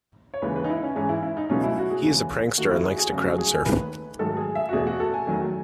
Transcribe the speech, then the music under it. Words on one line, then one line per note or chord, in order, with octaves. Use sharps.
He is a prankster and likes to crowd-surf.
C#5
D#2 C#3 E3 G#3 B4
B4
D#4
E4
C#4
G#2 E3 G#3 C#4
E4
E4
D#4
C#2 B2 F#3 A3 C#4
E4
F#4
G#4
D#2 C#3 E3 G#3
D#2 D#3 A3 F#4
E4
G#4
F#4
G#4
E2 C#3 F#3 A3 F#4
G#4
D#2 D#3 A3 B4
G#2 D#3 F#3 A3 A4
G#4
E5
F#4
E2 B2 A3 G#4
F#4
A4
G#5
E2 D#3 F#3 A3